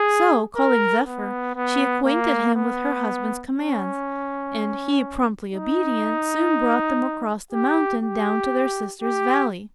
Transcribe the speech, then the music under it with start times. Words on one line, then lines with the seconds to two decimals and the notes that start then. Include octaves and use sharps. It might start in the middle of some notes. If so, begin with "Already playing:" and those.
So, calling Zephyr, she acquainted him with her husband's commands, and he, promptly obedient, soon brought them across the mountain down to their sister's valley.
Already playing: G#4
0.56 A#4
1.06 B3
1.56 B3
2.06 A#3
2.55 B3
3.55 C#4
5.54 D#4
7.53 G4
8.02 G4
9.02 G4